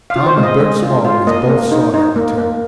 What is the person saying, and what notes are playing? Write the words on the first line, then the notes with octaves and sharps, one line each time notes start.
Tom and Bert Smallways both saw that return.
F5
F4
C5
G#3
D#5
G#3
F4
F4
A#3 D#5
A#3
D#4
D#4
A#3
A#3